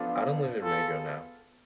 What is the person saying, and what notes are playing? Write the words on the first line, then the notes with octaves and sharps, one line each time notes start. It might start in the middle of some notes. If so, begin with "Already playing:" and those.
I don’t live in Maigo now.
Already playing: F3 B3 D4 F4 A4
B3 F4 G#4 A4